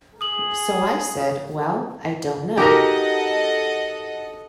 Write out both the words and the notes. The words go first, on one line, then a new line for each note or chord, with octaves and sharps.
So I said, 'Well, I don't know.
G#4 D#6 F#7
D#4 F#4 G4 A4 A#4 D#5 F#5